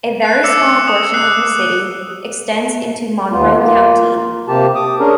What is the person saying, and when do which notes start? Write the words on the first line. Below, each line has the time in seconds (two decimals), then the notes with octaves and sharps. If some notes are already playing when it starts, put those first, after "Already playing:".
A very small portion of the city extends into Monroe County.
0.22 F#6 C7
0.43 D6 E6 C#7 E7
0.88 D#6
1.14 F#6 C7
3.32 D#2 B3 F4
3.57 A#3 F4
4.48 C3 A#3 G4 A5
4.75 D6 D#6
5.00 C#4 D4 G#4 A#4